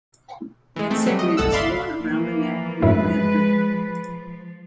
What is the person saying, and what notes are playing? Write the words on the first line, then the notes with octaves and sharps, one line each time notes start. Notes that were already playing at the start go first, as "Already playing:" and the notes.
The insignia is worn around the neck in a red ribbon.
E3 G#3
A3 C4
F#3 G3 A3
D#5
G1 C2 A4 F#5 E6
D5 E5 F5 B5 C6
E3 F3 A#3
F#2 A2 G#3 E4 B4